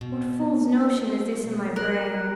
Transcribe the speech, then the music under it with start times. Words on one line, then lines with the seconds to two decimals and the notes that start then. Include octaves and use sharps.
What fool's notion is this in my brain?
0.01 B2
1.76 A#4 F#6